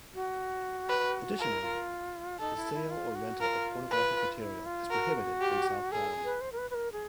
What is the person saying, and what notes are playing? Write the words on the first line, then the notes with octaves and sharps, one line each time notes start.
Additionally, the sale or rental of pornographic material is prohibited in South Holland.
F#4
B4
F4 A#4
E4
F4
D#4 A4
E4
E4
F4
F#4
F4 A#4
B4
E4
F4
F#4 A#4
G4
G#4 A4
B4
C5
A#4
B4
B4
A#4
G#4